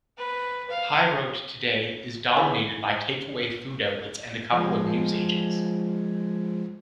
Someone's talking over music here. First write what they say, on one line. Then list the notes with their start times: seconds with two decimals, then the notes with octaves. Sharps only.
High Road today is dominated by take-away food outlets and a couple of newsagents.
0.18 B4
0.71 F5
2.37 E3 B3 G#4
4.52 F3 G#3